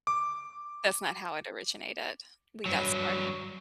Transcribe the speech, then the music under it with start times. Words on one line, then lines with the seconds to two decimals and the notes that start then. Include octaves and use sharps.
That's not how it originated. We got started.
0.07 D6
2.66 G2 F#3